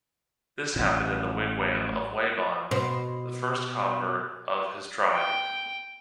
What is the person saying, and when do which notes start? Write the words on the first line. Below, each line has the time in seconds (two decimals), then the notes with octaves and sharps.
This happened in the wigwam of Waban, the first convert of his tribe.
0.76 A1 A2
2.71 B2 C5
5.14 G5